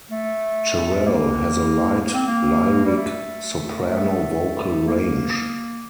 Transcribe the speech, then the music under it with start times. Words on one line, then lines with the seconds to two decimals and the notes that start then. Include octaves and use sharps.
Cherrelle has a light-lyric soprano vocal range.
0.10 A3
1.06 A#3
2.01 A#3
2.14 C4
2.27 A#3
2.85 G3
2.96 A3
3.91 A3
4.87 A#3